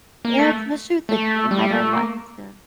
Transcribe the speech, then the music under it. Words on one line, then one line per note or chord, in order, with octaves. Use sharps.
Yeah, especially with a kid. And I don't want him to
A#3
A3
A3
G3
A3
A#3